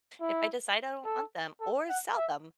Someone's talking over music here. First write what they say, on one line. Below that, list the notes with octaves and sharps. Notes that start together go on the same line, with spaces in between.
if I decide I don't want them or sell them,
E4
A4
A4
F#5
E5